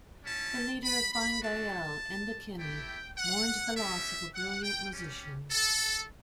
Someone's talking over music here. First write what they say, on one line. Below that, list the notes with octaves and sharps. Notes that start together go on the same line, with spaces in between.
The leader of Fine Gael, Enda Kenny, mourned the loss of a "brilliant musician".
G3 C#4 E4 A5
B5
B5
A3 D4 F#4 A5
A3 E4 G4 G5
F#5
G3 C#4 G4 E5
F#5
G5
G3 C#4 G4
A4